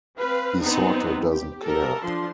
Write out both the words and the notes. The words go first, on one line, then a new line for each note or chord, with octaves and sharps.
He sorta doesn't care.
C4 B4 F5
B3 C4 D4 D#4
G4
G4 A4 A#4
F3 D4 C6